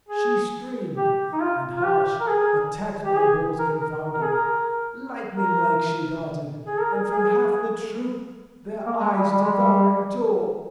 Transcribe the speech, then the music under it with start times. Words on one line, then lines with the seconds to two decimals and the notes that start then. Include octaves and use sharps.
She screamed, and harsh attacked my bulls confounded; lightning-like she darted, and from half the troop their eyes devouring tore.
0.09 G#4
0.97 G4
1.33 D#4
1.41 F4
1.77 F4
1.85 G4
2.21 A#4
2.28 G#4
3.06 G4
3.16 G#4
3.59 A#4
3.82 A#4
4.13 A#4
4.23 G#4
4.32 A#4
5.35 A#4
6.67 G#4
6.80 A#4
6.95 G#4
7.11 G#4
8.86 A#3
9.01 G#3
9.16 G3
9.30 G3
9.41 G#3
9.52 G3